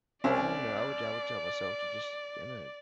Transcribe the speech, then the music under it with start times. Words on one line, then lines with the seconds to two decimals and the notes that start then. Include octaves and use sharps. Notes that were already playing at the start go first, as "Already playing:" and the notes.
and, you know, I would I would tell myself to just kinda,
0.24 C2 C4 C#4 D5